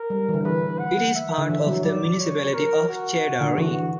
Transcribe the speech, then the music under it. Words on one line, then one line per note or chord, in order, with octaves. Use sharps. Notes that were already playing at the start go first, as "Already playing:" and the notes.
It is part of the municipality of Chaidari.
Already playing: A#4
G3
E3
D3
E3 B4
F#5
E5
D3
E3 E5
F#3
F#3 D5
C#5
A#4
F#4
D3
E3 F#4